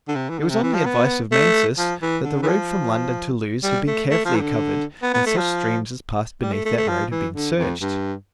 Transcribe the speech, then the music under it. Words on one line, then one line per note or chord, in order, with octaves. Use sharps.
It was on the advice of Mansus that the road from London to Lewes had been carefully covered and such streams as passed beneath that road had been searched.
D3
C3
E3
D3
C3
E3
F3
B3
A3
F3
E3
D3
E3
F3
G3
A3
A3
F3
E3
D3
B3
B3
A3
F3
G3
A3
A3
A3
F3
E3
D3
F2
G2